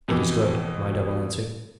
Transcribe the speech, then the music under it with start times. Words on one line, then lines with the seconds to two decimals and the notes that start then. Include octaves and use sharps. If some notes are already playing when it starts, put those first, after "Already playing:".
"It is good," my double answered.
0.08 F2 B2 E3